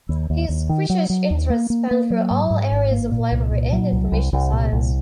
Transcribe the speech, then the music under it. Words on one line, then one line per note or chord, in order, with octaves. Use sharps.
His research interests span through all areas of library and information science.
D#2
D#2
D#2
D#3
F#3
F#3
D#2
A#3
A#3
A#3
F#3
G#2
G#2
G#1
A#3
A#2
C2
A#2
F#3
C2
C2
C2
A#2
C2